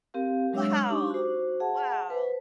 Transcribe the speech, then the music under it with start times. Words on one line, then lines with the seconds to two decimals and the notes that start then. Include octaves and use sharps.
Wow! Wow!
0.14 C4 G4 A#4 F5
0.53 F#3 G#3 D4 C#5 E5 E6
0.89 D4 D#4 G4 C#6 D6
1.10 F#4 C5
1.60 G#4 E5 F#5 A5
2.10 B4 C5